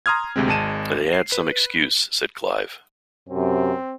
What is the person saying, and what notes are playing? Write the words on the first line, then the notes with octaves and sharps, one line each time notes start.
"They had some excuse," said Clive.
A#5 C6 D#6 F6 G#6
D2 C3 G#3 C4
G#1 G#3 A5 D#7 E7
C7
B4
F#2 C3 C4